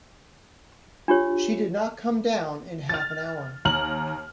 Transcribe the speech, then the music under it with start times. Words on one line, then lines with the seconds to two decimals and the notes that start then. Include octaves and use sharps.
She did not come down in half an hour.
1.08 D4 F4 G4 C#5
2.89 F6 A6
3.65 D#2 A#5 F6 F#7